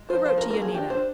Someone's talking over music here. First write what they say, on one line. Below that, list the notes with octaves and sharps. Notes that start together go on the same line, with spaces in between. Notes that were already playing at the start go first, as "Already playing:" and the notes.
"Who wrote to Yanina?"
Already playing: G#3
F3 C5
F3 C5
A#4
A#3
A#4
F3 G#4
D4 G4
D4 C5